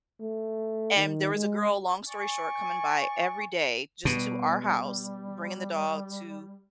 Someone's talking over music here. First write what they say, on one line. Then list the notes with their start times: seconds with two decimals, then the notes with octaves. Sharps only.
And there was a girl, long story short, coming by every day just to our house, bringing the dog to,
0.20 A3
0.96 D#3
1.34 G#3
2.08 D5 G#5 C#6
4.05 B2 G3